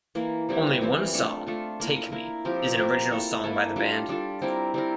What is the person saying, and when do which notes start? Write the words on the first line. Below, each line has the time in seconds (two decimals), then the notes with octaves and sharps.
Only one song, "Take Me", is an original song by the band.
0.15 E3 A#3 E4
0.49 E3 G3 C4 E4
0.81 E3 G3 C4 E4
1.14 A3 D4 F4
1.46 A3 D4 F4
1.80 A#3 E4 A#4
2.12 A#3 E4 A#4
2.45 F3 C4 G4 A#4
2.77 F3 C4 G4 A#4
3.11 A#3 E4 A4
3.44 A#3 E4 A4
3.76 G3 D4 F4 A4
4.09 G3 D4 F4 A4
4.42 G3 C4 E4 A#4
4.74 G3 C4 E4 A#4